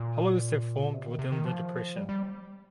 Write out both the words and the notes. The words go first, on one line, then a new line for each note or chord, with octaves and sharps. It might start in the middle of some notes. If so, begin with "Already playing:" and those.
Hollows have formed within the depression.
Already playing: A#2
C3
D#3
C3
D#3
F3
G3
G3